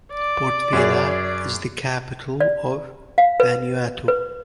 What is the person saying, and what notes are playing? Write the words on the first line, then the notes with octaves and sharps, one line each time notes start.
Port Vila is the capital of Vanuatu.
D5
F#2 G#4
D5
F5
B4
B4